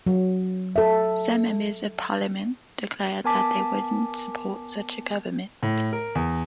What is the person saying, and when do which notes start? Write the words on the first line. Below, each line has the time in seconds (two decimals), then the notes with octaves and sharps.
Some members of parliament declared that they wouldn't support such a government.
0.06 F#3
0.76 A4 E5
3.24 B3 A#4 G#5 A5 D6 B6
5.63 A2
5.93 A#4
6.15 E2